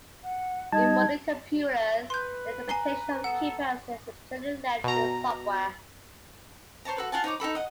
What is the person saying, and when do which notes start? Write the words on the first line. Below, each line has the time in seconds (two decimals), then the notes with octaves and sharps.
In modern computers, the interpretation of keypresses is generally left to the software.
0.24 F#5
0.72 G3 D#4 D#5 A5 G#6
2.10 B4 C6 G6
2.69 G#5 A#5 C7 G7
3.24 B3 A4 F#5
4.84 B2 A#5
6.85 C5 C#5 A5 A#5
6.97 F#4 A4 B4
7.12 F4 F#5 G#5 A5
7.24 D#4 C5 C#5 D6
7.40 D#4 F#4 A4 B5
7.55 D#5 F#5